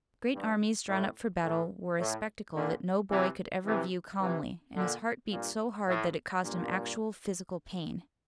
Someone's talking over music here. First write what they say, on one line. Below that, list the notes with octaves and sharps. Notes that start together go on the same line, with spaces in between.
Great armies drawn up for battle were a spectacle that no boy could ever view calmly, and his heart beat so hard that it caused him actual physical pain.
G2
A2
A2
A2
A#2 D3
C3 E3
C3 E3
C3 E3
A#2 D3
G2 A#2
A2
G2 A#2